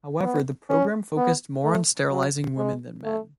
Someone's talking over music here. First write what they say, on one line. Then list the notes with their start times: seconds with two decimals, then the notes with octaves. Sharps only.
However, the program focused more on sterilizing women than men.
0.23 B3
0.70 C#4
1.17 B3
1.64 A3
2.10 F#3
2.58 G#3
3.04 A3